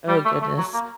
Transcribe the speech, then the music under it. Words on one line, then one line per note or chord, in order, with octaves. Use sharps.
Oh goodness.
G3
A3
A3
F#3
A#3